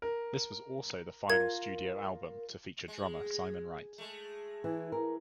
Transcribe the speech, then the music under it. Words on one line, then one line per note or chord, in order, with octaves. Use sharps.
This was also the final studio album to feature drummer Simon Wright.
A#4
F4 A#4 G#6
G#3
G#3 A3
E3
A#4